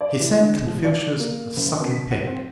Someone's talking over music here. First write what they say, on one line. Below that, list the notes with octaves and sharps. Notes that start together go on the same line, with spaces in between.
He sent Confucius a sucking pig.
D5
E3
D3
F3
D5
A#3
F#1
B2
B6
F#5
C4